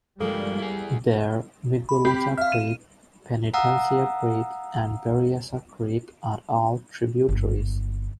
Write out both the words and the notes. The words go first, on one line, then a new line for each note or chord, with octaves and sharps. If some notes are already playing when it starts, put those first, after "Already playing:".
There, Miguelita Creek, Penitencia Creek, and Berryessa Creek are all tributaries.
G2 F3 G3 G#3 A#3 A4
E4 G#4
B5
C4 G4 B5
E5 F5 F6
D#7 E7
F5 F#5 A#5 D#6 E6
G1 A#3